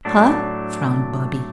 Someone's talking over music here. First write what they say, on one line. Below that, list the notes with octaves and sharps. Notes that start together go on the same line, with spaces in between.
"Huh?" frowned Bobby.
A2 F#3 A3 D4